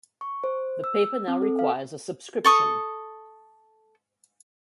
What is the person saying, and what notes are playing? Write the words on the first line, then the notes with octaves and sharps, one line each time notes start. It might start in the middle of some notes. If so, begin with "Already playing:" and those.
The paper now requires a subscription.
C#6
C5
E6
C4
A4
F5
A4 C#6 D#6